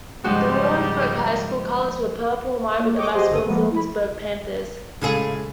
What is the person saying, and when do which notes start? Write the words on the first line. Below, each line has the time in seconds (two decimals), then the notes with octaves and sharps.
The Williamsburg High School colors were purple and white with the mascot Williamsburg Panthers.
0.24 G#2 C#3 F3 G3 G#3 F#4
2.79 A#3
2.94 C#5 D#5 G5 D6
3.13 F#3 G4 G#4 C5 D#5
3.28 G1 D3 A4 D#6
3.45 F3 G#3 A#3 B3
3.71 E4 B5
5.02 A2 C#3 G#3 F4 G#4 A4